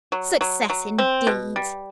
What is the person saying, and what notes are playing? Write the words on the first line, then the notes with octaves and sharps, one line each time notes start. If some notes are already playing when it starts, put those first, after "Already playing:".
Success indeed!
F#3
F#3
F#3
C4
B2
G3